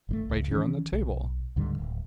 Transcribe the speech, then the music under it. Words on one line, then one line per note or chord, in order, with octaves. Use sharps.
Right here on the table.
G1 D3 A3
C#2
D#3 E3 C#4
B1
C#2 G#2 D3 G3
D1